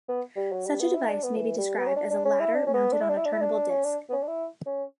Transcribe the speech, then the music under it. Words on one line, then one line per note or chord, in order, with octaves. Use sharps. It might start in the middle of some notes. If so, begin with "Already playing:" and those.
Such a device may be described as a ladder mounted on a turnable disk.
B3
G3
F#3
G3
B3
E4
D4
B3
E3
G3
B3
C#4
D4
D4
C#4
E4
D4
C#4
B3
D4
E4
D4
E4
D4
E4
D4
C#4
D4
B3
C#4
D4
E4
C#4